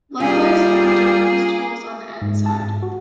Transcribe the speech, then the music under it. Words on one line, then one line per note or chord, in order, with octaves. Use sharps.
Likewise for the diffused holes on the N-side.
G3 A#3 F4 G#4
G#2
A5
G#2
F#4